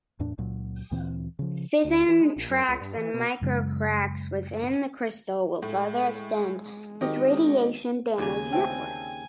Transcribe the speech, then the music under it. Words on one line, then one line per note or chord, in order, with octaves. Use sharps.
Fission tracks and micro-cracks within the crystal will further extend this radiation damage network.
E2 A2 D4
C#2 A#2 F#3
D2 A#2 E3 C4
C#3 F3
D2
E3
G#3
A#1
F#2
C#2
G2
E3
B2
F#2 C#3 G#3
A2 G#3
G#1 D#3 G4 D#5
D#2 C#3 F#3 G#5 D6
D2 C4 E4 G5